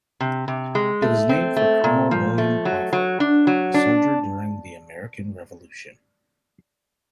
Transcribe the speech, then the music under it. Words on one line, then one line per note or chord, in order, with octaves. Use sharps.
It was named for Colonel William Crawford, a soldier during the American Revolution.
C3
C3
G#3
A3
C4
A3
A#2
F3
A3
F#3
F#3
D4
F#3
D4